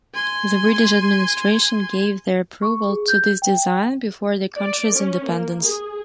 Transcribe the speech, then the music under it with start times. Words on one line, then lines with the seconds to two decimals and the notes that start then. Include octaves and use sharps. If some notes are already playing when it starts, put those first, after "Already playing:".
The British administration gave their approval to this design before the country's independence.
0.14 G#5 C6
2.62 C#6
2.89 G#4
3.08 G6
3.42 G5
4.58 D5
4.94 C#4
5.27 A#3
5.64 G#4